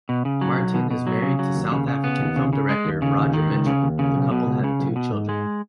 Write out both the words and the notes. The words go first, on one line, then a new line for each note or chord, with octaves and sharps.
Martin is married to South-African film director Roger Michell; the couple have two children.
B2
C#3
F#3
B1
B2
B2
F#3
C#3
F#3
D#2
C#3
C#3
B3
D#2
C#3
C#3
G#3
D#2
C#3
D#2
D#3
C#2
C#3
D#2
C#3
B1
B2
C#2
C#3
B1
B2
G#2
G#3